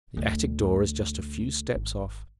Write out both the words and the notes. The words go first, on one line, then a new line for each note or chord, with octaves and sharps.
The attic door is just a few steps off.
D2
G#1